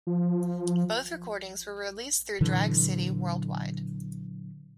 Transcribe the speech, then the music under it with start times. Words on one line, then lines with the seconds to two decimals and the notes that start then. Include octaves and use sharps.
Both recordings were released through Drag City, worldwide.
0.07 F3
2.41 A#2 D3 E3 F#3